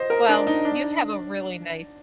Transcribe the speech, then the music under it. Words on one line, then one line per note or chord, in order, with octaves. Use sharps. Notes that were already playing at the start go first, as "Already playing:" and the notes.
Well, you have a really nice
Already playing: C5 D#5
A#4
D4
D#4
D4